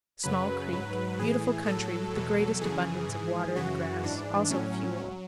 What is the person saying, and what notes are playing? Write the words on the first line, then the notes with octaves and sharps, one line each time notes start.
Small Creek.--Beautiful country, with the greatest abundance of water and grass; also fuel.
F#2 C#3 F#3 B4
G#2 F#3
A2 E3 G#4
A2 F#3 A4
E2 B2 F#3
F#2 C#3 E3 G#4
G#2 E3
F#2 C#3 E3 F#4
G#2 E3 D4
A2 F#3 C#4
F#3